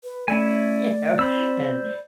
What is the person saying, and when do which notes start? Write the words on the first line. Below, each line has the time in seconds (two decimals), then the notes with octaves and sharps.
you know, and,
0.04 B4
0.28 A3 C#4 E4 D5 G#5
1.19 C4 C5 B5 E6